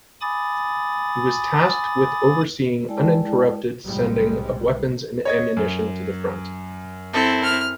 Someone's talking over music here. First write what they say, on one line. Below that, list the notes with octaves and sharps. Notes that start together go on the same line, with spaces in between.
He was tasked with overseeing uninterrupted sending of weapons and ammunition to the front.
G#5 B5 D6 D#6 A6
G#3 E4 G#4 D5 G5 A5
B1 F2 A2 C3 G3 G#3
C#5 D#5 G#6
F#2
C4 E4 A4
F6